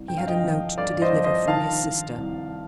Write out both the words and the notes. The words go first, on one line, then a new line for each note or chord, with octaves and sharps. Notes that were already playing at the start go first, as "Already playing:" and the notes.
He had a note to deliver from his sister.
Already playing: C2
G2 G5
F5
D#5 G5
F3
G2 D5 F5
C5 D#5
F3
C5 D#5
D#3 F5 A5
D#3
C2